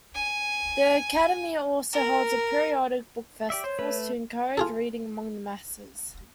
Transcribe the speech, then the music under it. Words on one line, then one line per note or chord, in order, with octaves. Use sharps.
The Akademi also holds periodic book festivals to encourage reading among the masses.
G#5
A#4
G4 D5 E5
C5 C#5
A3 B4
F4 G#4 A4